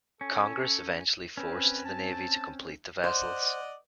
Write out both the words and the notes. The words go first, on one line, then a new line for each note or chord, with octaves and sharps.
Congress eventually forced the Navy to complete the vessels.
C#4 A4
C4 C#4 B4
A5
C5 D5 D#5 F#5